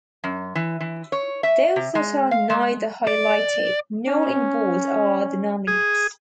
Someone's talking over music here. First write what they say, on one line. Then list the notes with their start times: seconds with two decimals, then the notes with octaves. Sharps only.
Those that are neither highlighted nor in bold are the nominees.
0.24 F#2
0.55 E3
0.80 E3
1.12 C#5
1.43 E5
1.76 C3
1.95 G#3
2.31 F5
2.50 G#3
3.07 D5
4.08 C#4
5.67 G#4